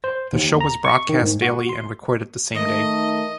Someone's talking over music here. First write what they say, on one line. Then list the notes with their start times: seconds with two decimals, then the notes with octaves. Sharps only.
The show was broadcast daily, and recorded the same day.
0.04 C5
0.33 D#2
0.61 A#5
0.85 C#6
1.09 D#3
1.22 G#2
1.42 F#4
1.69 C6
2.54 D#3 A3 D#5